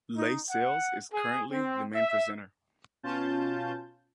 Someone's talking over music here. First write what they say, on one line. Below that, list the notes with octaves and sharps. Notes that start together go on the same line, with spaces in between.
Leigh Sales is currently the main presenter.
D#4
F#5
G#4
C4
E5
B2 C#4 F4 A5 G6